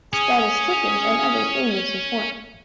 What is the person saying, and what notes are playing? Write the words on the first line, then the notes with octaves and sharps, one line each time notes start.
Statisticians and others still use this form.
C#4 G#4